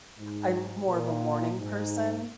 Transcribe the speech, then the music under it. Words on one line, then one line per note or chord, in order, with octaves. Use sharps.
I'm more of a morning person
G#2
A#2
G#2